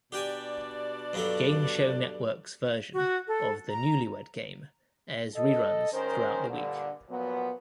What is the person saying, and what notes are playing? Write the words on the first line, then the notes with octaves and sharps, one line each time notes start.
Game Show Network's version of "The Newlywed Game" airs reruns throughout the week.
B2 D4 G4 D5 G5 G#5
G2 F#3 A4
F#4
A4
A#5
A4 D#5
D#3 G#3 C#4 A#4 C5
G2 A#2 D3
A#2 F3 F#3 B3